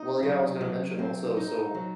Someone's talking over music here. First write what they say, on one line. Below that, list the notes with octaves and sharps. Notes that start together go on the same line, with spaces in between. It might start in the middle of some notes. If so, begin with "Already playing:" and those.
well, yeah, I was gonna mention also. So,
Already playing: D#4 D#5
F#3
F#3
C4
D#4
F#3